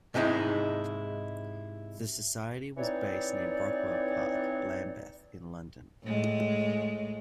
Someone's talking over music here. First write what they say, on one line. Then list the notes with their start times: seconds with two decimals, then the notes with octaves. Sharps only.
The Society was based near Brockwell Park, Lambeth in London.
0.14 G#2 C3 G#3 D#4 E4
2.77 E3 C4 D#4 C#5 D5
6.04 A2 G#3